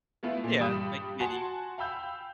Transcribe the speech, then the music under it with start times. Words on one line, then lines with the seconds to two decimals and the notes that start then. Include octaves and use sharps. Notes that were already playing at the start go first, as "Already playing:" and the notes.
Yeah, make many
0.23 G#3 A3 B3 E4 F4
0.44 A#2
0.59 G2 G3 G5 B5 D#6 E7
1.20 F#4 F#5 G#5 A5 C6
1.78 F5 G5 B5 E6 G6